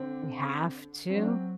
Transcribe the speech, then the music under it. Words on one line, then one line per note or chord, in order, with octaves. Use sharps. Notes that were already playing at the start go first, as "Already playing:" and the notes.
We have to?
Already playing: D3 C4
F#3 C4
D4
C4